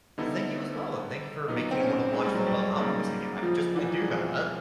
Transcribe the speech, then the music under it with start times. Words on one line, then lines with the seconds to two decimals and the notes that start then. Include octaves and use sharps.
Thank you as well and thank you for making me wanna watch Fullmetal Alchemist again, I just might do that.
0.18 D3 G3 B3 D#4 E4 A4
1.48 A#2 F#3 B3 D#4
1.71 C4
1.80 C#4
2.13 G#3
2.24 G3
2.35 F#3
2.47 G3
2.78 C#3 F#3 A#3 D#4 G#4
3.43 F3
3.75 E3
4.08 B2 G#3 C4 E4 G#4